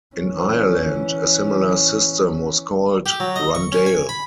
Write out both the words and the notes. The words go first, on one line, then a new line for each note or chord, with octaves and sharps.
In Ireland, a similar system was called rundale.
E3 C#4
G4
F#3
D#5
C#6
C#4
G#5
B5